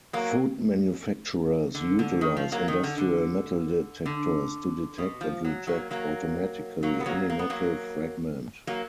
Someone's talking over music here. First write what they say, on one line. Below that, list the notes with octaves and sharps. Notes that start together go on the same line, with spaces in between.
Food manufacturers utilize industrial metal detectors to detect and reject automatically any metal fragment.
F#3 A#3
D3
D3
D#3
F3
F#3 A#3
D#3
D3
D3
D3
B2
F3
F#3
F#3 A#3
F#3 A#3
F#3 A#3
B3
F#3 A#3
A#3
B3
F#3 A#3
F#3 A#3